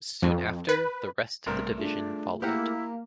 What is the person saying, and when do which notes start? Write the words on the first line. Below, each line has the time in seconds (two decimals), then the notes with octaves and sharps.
Soon after, the rest of the division followed.
0.22 F2
0.69 B4
1.46 A#1 G2 C3 A3 A#4
1.78 A3 D4 F4 G#4
2.42 A#3 E4 G4 F#5